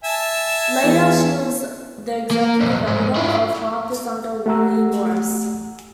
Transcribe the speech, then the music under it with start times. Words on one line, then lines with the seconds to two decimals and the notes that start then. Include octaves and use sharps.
Later she was the executive editor of "Harper's" under Willie Morris.
0.04 E5 G#5 A5
0.83 E2
2.31 A#3
2.61 B1 F2
2.87 G#2
3.16 E4 F4
4.46 A3 G4 F#5 A#5 E6